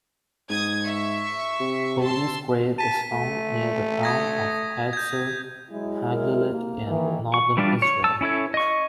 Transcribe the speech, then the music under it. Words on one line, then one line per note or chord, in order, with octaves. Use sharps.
Honi's grave is found near the town of Hatzor HaGlilit in northern Israel.
G#2 D#6 G#6
E5 C#6
C3
A5 C6 E6
A5 B6 D#7
A3
D#6 G#6 A#6
G6 G#6
F#3 G#3 E4
A#4
A#3
D#3 E3
C#6
E3 G3 D4 F4 D5
C#5
A5 E6
C#4 E4 A4 C#5
D#5 C#6